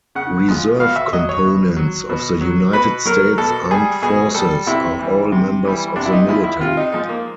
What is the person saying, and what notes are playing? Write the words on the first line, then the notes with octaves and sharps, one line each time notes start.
Reserve components of the United States Armed Forces are all members of the military.
C#3 F#5
F3 G#3
B2 F5
E5
F#3 D#5
C#5
B2
F#3
B2
F#3
B2 B4
F#3 A#4
B2 A4
G3 G#4
B2 G#4
G3 A4
C3 E4
E3 G3
C3
E3 G3
C3 D4
E4
D#4
F3 G#3 E4
E4
C3 F4
D#4
F3 G#3 D#4
A#3